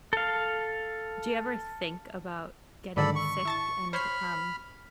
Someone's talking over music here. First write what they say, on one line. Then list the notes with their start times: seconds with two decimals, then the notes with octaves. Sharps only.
do you ever think about getting sick and, um,
0.13 A4 F5
2.97 G#2 D3 D#3 A4 D5 B5
3.16 C#6
3.45 E4 A5 A6
3.93 C5 C#5 B5 F6 C7